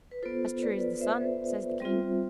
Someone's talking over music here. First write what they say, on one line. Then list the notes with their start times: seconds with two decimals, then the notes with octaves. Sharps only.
"As true as the sun," says the king.
0.11 B4
0.23 B3 F4 A4 C5
0.62 B4 D5
1.01 C5 E5
1.80 G3 C4 F4